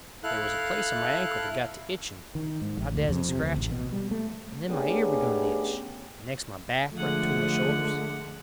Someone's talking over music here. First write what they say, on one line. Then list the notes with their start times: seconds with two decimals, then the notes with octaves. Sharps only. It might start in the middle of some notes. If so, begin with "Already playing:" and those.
There was a place on my ankle that got to itching, but I dasn't scratch it; and then my ear begun to itch; and next my back, right between my shoulders.
0.24 E4 A4 F5 F#6
2.35 D#3
2.61 G#2
2.77 A1
2.95 D2
3.09 F2
3.29 C3
3.42 D2
3.57 A1
3.72 B2
3.93 G3
4.11 A3
4.69 A3 B3 C#4 D4 G4 G#4
6.93 D3 F3 G#3 A3 G#4 F#5